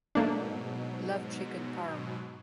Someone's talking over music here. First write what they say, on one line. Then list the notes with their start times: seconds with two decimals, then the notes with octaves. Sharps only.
Love chicken parm.
0.15 G#2 B2 F#3 A3 A#3 D4